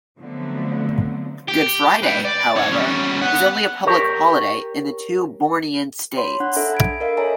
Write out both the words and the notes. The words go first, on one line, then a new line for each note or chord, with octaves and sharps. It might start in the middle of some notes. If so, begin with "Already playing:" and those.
Good Friday, however, is only a public holiday in the two Bornean states.
D3 F3 F#3 A3 B3 C4
G4
B4 G5
D5
C4 C#5
G3 C#4
B4 F#5
G4 A#4 C#5
C#5 B5 C6
D4 F#5 F#6
D4 A4 E5
B5 G#6 D7
A#4 D#5 F5
A4 C#5 D#5 E5 G#5 A#5